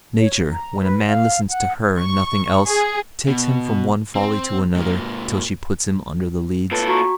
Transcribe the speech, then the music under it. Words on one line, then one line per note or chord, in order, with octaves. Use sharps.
"Nature, when a man listens to her and nothing else, takes him from one folly to another, till she puts him under the Leads."
C#5
A#5
B4
F5
F#5
C#6
G#4
B2
C4
G#2 A#3
A#2 A4 B4
F#4 A#5 C#6